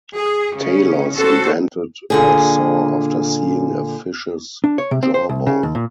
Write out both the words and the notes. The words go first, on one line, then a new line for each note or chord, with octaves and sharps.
Talos invented the saw after seeing a fish's jawbone.
G#4
C#3 C#4
C#4 F#4 A4 C5
A#2 D3 G#4
D4
C#5
C3
C4
C5
C2
C#3
D#2
A#2